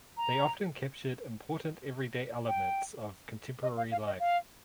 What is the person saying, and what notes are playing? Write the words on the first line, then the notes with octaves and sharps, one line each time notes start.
They often captured important everyday elements of contemporary life.
A#5
G5
D#5
F5
F5
D#5
F5